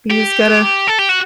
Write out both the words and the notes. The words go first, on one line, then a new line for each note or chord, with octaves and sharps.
you just gotta
G4
A4
G4
F#4